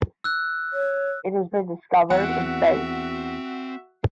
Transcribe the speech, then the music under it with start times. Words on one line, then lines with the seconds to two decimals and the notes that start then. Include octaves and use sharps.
It has been discovered in space.
0.24 E6 F#6
0.73 C#5
2.10 E2 C4 F#4 E5 F#5 G5